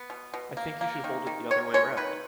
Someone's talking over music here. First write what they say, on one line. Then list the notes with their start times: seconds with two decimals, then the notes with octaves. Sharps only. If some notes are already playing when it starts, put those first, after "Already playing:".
I think you should hold it the other way round.
Already playing: B3
0.10 B2
0.34 B2
0.57 A#3
0.81 A#3
1.04 D#3
1.27 D#3
1.51 D#3 C#5
1.74 G#3 C#5
1.97 D#3 B4